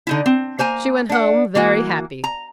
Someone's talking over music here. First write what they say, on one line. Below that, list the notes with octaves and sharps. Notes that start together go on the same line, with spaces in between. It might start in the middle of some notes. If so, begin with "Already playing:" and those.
She went home very happy.
D3 D#4 E4
C4
A#3 C5 G#5 A#5
D4 F#5
E3 A#3 F#4
A#5